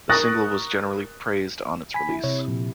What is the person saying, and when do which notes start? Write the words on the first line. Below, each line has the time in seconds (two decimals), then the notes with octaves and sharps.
The single was generally praised on its release.
0.10 A#4 C#6 D#6 F#6 A6 A#6
1.94 G#5 B5 B6
2.09 E4
2.24 C3 C#5
2.48 A#2 F3